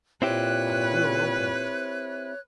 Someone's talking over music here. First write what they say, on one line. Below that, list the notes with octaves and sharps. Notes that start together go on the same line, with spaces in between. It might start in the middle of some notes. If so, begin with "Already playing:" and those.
I will open it!
A#2 C4 E4 G4 B4 C#5 F#6